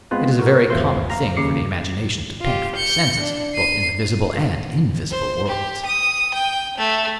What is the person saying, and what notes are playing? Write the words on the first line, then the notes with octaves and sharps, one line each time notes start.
It is a very common thing for the imagination to paint for the senses, both in the visible and invisible world.
G#3 B3 C4 F4 B4
F#4 A#4
G#1 E2 A3 F4 C5 C6
F5 A#5
D#2 C#3 D6 C7 C#7
F4 G4
G6 C#7
D4
C7 D#7
C5
G4
D#6
G5
A3